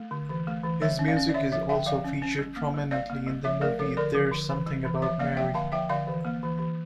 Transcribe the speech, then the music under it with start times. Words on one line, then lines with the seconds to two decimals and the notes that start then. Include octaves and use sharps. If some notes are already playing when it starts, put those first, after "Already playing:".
His music is also featured prominently in the movie "There's Something About Mary".
Already playing: A3
0.11 D3
0.29 E3
0.47 A3
0.64 E3
0.82 G3 C#5 E5
0.99 C#4
1.08 D5 F5
1.17 C#4
1.29 D5
1.34 D3 C#5 E5
1.52 F3 C#5 E5
1.69 D3 E5 G5
1.86 F3 D5 F5
2.04 C#4
2.22 C#4
2.39 G3
2.56 A#3
2.74 G3
2.91 G3 D5 F5
3.10 A#3
3.27 G3
3.44 F3 C#5 E5
3.61 A3 A#4 D5
3.79 F3 A4 C#5
3.97 D3 A#4 D5
4.15 F3
4.32 D3
4.49 E3
4.66 G3
4.85 E3
5.02 F3 C#5 E5
5.19 A#3 D5 F5
5.37 F3 E5 G5
5.54 D3 F5 A5
5.72 F3 E5 G5
5.89 D3 D5 F5
6.07 E3
6.25 A#3
6.43 E3
6.59 E3